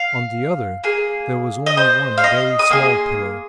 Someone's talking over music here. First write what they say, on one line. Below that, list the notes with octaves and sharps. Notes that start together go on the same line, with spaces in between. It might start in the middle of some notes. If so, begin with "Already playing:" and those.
On the other there was only one very small pillow.
Already playing: F5
A#3 G#4
D#5
C5
F5
D#5
D#6
A#3 G#4 C6